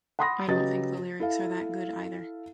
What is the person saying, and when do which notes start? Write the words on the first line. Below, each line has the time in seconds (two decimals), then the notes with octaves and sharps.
I don't think the lyrics are that good either.
0.19 F#5 B5 C6 D#6 A#6
0.48 C#3 F#3 G4 B4 D#5 A6
1.20 E4 A4 F5